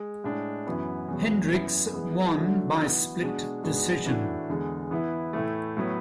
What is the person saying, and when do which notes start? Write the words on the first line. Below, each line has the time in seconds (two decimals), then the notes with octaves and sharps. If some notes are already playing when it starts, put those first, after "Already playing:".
Hendricks won by split decision.
Already playing: G#3
0.24 A2 G#3 D4
0.67 F#2 E3 B3 F#4
1.08 E2 B2 F#3
1.52 F#2 E3 B3 E4
1.93 E3 G#3 B3
2.37 D3 F#3 A3 D4 F#4
2.79 E3 B3 F#4
3.21 B2 G#3 D4 F#4
3.63 G#2 G#3 B3 D4 F#4
4.06 A2 E3 A3 D4 F#4
4.49 E2 D3 G#3
4.91 E3 B3 E4
5.33 A2 E3 A3
5.77 A2 F#3 B3